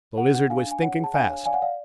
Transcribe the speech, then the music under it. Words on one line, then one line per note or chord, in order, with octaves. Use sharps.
The Lizard was thinking fast.
G#4 F#5
D4 F#5
D4 F5 G#5
D4
G#5
C#5 F#5
G#4
A5
D4 F5 G#5
C#5
D5 F5 G#5
F#5
D5 F5